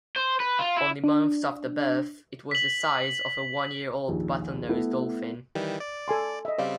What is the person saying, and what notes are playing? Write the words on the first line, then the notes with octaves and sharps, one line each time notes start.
Only months after birth, it was the size of a one-year-old bottlenose dolphin.
C5
B4
F4
E4
D4
B6 F#7
A#1 D#2
A3 B3 E4
D#3 E3 G3
D5
A4 G#5 C6
D#5 E5
C#3 G3 C4 D5 F5